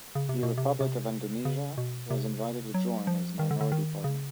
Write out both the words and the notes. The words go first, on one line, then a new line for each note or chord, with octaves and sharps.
The Republic of Indonesia was invited to join as minority partner.
C#3
C3
B2
C3
C3
C#3
B2
C3
F#3
F3
D#3
D3
D3
D#3
C#3